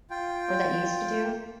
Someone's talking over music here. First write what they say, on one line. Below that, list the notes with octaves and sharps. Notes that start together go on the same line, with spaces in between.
Or that you used to do?
F4 G5